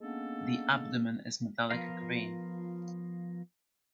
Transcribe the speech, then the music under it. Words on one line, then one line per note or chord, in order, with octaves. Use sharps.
The abdomen is metallic green.
G#3 A#3 B3 C#4 D4 A4
F3 B3 F4 A#4 F5